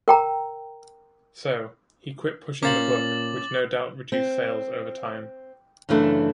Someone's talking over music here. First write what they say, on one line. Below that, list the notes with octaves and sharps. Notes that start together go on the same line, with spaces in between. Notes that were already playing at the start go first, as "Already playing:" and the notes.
So, he quit pushing the book, which no doubt reduced sales over time.
A#4 G5 A#5
A#2 C#4 A#4 C5 F5 D6 A6 F#7
C4
F#2 C#3 E3 A3 D4